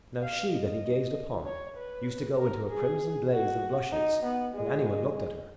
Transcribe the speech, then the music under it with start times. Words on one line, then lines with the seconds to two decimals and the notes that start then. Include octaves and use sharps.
Now she that he gazed upon used to go into a crimson blaze of blushes when any one looked at her.
0.22 F5
0.53 D#5
1.46 C#5
1.77 B4
2.38 A#4
2.69 G#4
3.31 F#4
3.92 D#4
4.23 B3
4.54 G#3